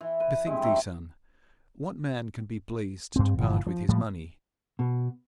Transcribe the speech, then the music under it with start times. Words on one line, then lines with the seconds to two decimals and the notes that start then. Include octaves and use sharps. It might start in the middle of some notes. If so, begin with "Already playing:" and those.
Bethink thee, son--what man can be pleased to part with his money?
0.01 E3
0.20 B4
0.46 G2 C3 G#3 E4
0.62 C#5 E5 A#5 C6
3.16 G2 C4
3.38 G1 A#2 E3 F3
3.67 F3
3.89 A2 F3 G3
4.79 B2